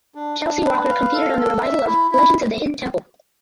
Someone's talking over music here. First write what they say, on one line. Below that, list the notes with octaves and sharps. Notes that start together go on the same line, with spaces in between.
Chelsea Walker competed on the revival of "Legends of the Hidden Temple".
D4
D4
B4
F5
A4
A4
E5
E4
E4